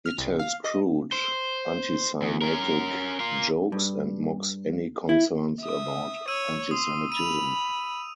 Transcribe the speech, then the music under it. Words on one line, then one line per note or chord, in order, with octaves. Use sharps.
He tells crude antisemitic jokes and mocks any concerns about antisemitism.
F6
C2
F5
D#5
C5
E2
C#4 A#4
F4 A#4
G2
E4
E5 D#6
C#5 E6 D#7
C6 D#6
B5 D#7 F7